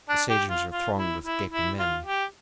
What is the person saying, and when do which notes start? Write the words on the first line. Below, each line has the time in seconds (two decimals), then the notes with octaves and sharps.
The stagings were thronged with gaping men.
0.09 D4
0.30 G4
0.49 F4
0.70 F4
0.97 E4
1.24 E4
1.51 E4
1.79 F4
2.05 G4